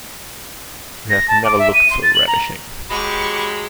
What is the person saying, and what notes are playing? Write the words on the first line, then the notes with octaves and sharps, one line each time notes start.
You have never looked so ravishing.
A#6
A5
D6
E5
D#7
C6
A6
F#7
A#5
F#3 G#3 G4 B5 C#6